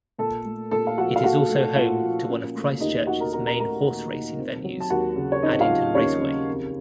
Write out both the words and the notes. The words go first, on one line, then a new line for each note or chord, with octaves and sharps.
It is also home to one of Christchurch's main horse-racing venues, Addington Raceway.
A#2 A4 A5
A3
A#2 A4 A5
F5
F3 F#4 F#5
F5
A#2 F#4 F#5
A3
A#2 F4 F5
F3
C#4
A3
D#2 D#4 D#5
D#3 F#4 F#5
A#4 A#5
C#4 A#4 A#5
A#4 A#5
A3 A#4 A#5
D#2
D#3
C4
F#3
A5
D#2 F#4 F#5
C#3
C#5
C4 D#4 D#5
F4 F5
F#3
D#2 C#4 C#5
C#3
F2